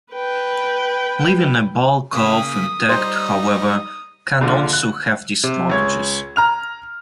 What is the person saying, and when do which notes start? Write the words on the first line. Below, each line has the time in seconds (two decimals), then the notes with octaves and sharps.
Leaving a bull calf intact however, can also have disadvantages.
0.13 B4 G5
2.13 C#3 A#3 D#6 B6
2.89 G3 D#4 C5
4.41 A#1 D3 F4
4.73 F#6
5.43 C3
5.70 C#2 C#5 G#6
6.36 A#5 F6 F7